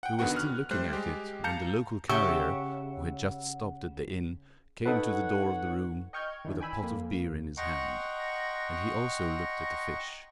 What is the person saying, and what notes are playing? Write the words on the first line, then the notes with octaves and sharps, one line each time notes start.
We were still looking at it, when the local carrier, who had just stopped at the inn, came to the door of the room with a pot of beer in his hand, and he also looked at the fish.
F#5 G5
F2 D3 D#3 B3 F#4 F#5
F6 F#6
G3 A3 C5 F#6
G#3 G4
F5 A5 A#5 G6 C#7
C#3 G4 E5 F#5 C#6 E6
D#4 F#4 A4 B4 C#5 F#5
D#5 G5 C#6 F6 G6 G#6
D#3 E3 D4
G5 G#5 B5 E6
F2 A#3
D#5 F#5 G5 A#5 C6 C#6